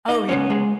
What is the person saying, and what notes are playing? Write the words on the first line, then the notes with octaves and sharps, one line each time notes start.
Oh ye
D#4 D#5
C#3 G#3 B3 C#4 C#5
G#3 G#4